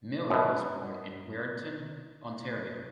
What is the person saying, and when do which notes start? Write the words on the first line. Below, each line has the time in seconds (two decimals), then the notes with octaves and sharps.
Miller was born in Wiarton, Ontario.
0.30 F#2 B2